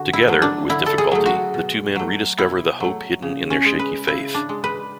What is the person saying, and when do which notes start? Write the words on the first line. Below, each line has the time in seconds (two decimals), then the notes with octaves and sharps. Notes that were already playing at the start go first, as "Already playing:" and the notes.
Together, with difficulty, the two men rediscover the hope hidden in their shaky faith.
Already playing: D3 F#4
0.13 E4
0.28 F#3 A3
0.42 D4
0.69 D3 E4
0.86 A4
0.98 G#4
1.11 F#3 A3
1.26 F#4
1.54 B2
1.96 F#3 A3
2.38 B2 E4
2.80 F#3 A3
3.22 C#3
3.50 C#4
3.65 G#3
3.79 B4
4.07 C#3 E4
4.34 D4
4.49 G#3
4.64 B4